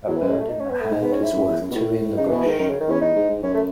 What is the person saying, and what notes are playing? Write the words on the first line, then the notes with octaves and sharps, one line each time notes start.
A bird in the hand is worth two in the bush.
E2 F#3
E3
F#2
G#3
A3
D#4
C#4
B3
A3
G#2 G#3
B3
C#4
E4
F#2
E2
F#2
B2
A2
C#3 D#4
E3
B2
E3
G#2 D#3
F#2 D#3
C#3
D#3
E2 C#4
E2 D#4
G#2
G#2
F#2 C#4
A3